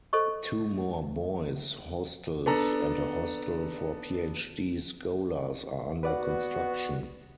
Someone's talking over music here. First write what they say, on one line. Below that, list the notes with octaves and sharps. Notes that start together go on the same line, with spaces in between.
Two more boys' hostels and a hostel for PhD scholars are under construction.
A4 C5 D#5 C#6
B3 D4 A4 A#5
B3 F#4 B4 D5 F#5